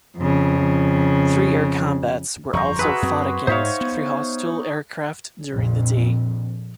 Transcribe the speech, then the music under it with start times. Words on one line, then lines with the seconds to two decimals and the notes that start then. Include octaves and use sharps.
Three air combats were also fought against three hostile aircraft during the day.
0.17 F2 C#3
2.53 G1 F2 F3 C5 A#5 C#6
2.79 F#4 G#4 B4 E5
3.02 F#2 C4
3.47 G#2 D#4 C5 C#5 E5 F5
3.81 B3
5.51 A#1 F2 A#2